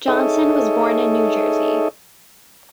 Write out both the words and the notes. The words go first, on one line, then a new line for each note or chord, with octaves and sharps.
Johnson was born in New Jersey.
D#4 G#4 A4 C#5 D#5 E5